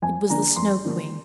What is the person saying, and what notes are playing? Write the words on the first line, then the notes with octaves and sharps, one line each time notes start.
It was the Snow Queen.
F2 G#5
D3 F3 A#3 D4 A#5
F2 C6
D3 F3 A#3 D4